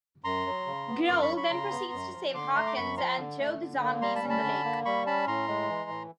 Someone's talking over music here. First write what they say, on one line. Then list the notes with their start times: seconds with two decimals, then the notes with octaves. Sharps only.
Grohl then proceeds to save Hawkins and throw the zombies in the lake.
0.24 F#2 A#5 C6
0.46 F#3
0.66 C#3
0.88 B3
1.08 F#2 C6 D6
1.22 B5 C#6
1.30 F#3
1.37 B5 C#6
1.50 C#3 A#5 C6
1.71 B3
1.92 F#2
2.13 F3
2.34 D3 C6 D6
2.55 A3 A#5 C6
2.67 D6
2.76 F#2 B5 C#6
2.97 F3 A#5 C6
3.18 D3
3.39 A3
3.60 D3
3.81 A#3
4.01 G3 A#5 C6
4.15 A5 B5
4.23 C#4
4.29 A5 B5
4.43 D3
4.65 A#3
4.85 G3 B5 C#6
5.06 C#4 A5 B5
5.27 A2 A#5 C6
5.48 G#3
5.69 E3
5.90 A2